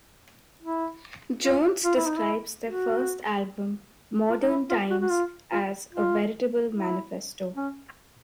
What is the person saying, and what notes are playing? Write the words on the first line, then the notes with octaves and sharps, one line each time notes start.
Jones describes their first album "Modern Times" as "a veritable manifesto".
E4
F4
F4
E4
D#4
E4
F#4
F4
D#4
E4
F4
F#4
F#4
F4
F4
F4
E4
C#4